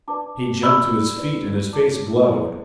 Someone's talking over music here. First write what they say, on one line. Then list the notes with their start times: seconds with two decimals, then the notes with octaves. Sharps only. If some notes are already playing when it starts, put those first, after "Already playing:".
He jumped to his feet, and his face glowed.
0.08 D4 B4 D5 A5 D6
0.63 G4 D5 B5 E6
1.18 E4 B4 D5
1.73 G4 D5 A5 D6
2.27 E4 A4 D5